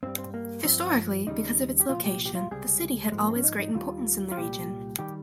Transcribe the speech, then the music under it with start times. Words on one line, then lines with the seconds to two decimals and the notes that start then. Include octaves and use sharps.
Historically, because of its location, the city had always great importance in the region.
0.03 G2 G3 C4
0.18 C4
0.34 A#3
0.64 G2 F3 C4
1.27 D#2 C#3 G3 D#4
1.80 G4
1.89 C2 A#2 F3 F4
2.04 G4
2.25 G4
2.35 F4
2.51 C#2 C3 G3 G#4
3.12 G#2 F3 G#3
3.20 A#3
3.28 C4
3.36 C#4
3.44 D#4
3.59 D#4
3.74 D#2 D#3 G3 F4
4.32 F4
4.37 C2 A#2 G3 G4
4.99 D#3 G3 G4